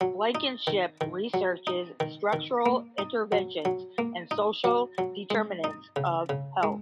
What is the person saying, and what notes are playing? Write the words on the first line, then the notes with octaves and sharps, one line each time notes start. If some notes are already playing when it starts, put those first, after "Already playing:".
Blankenship researches structural interventions and social determinants of health.
F#3
D#4
D#3
D#3
F#3
D#4
D#3
D#3
A#3
D#4
F#3
F#3
A#3
D#4
F#3
F#3
G#3
D#4
C#3
C#3
G#3